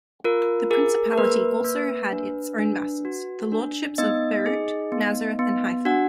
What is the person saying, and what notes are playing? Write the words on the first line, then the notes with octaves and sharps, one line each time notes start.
The Principality also had its own vassals: the Lordships of Beirut, Nazareth, and Haifa.
F4 A#4
G#4 A#4
A#4
A#3 B4
A#3
D4
D4
F#4
D4
B3 D#4 D#5
G#4
B3
B3
D4 F#4 F#5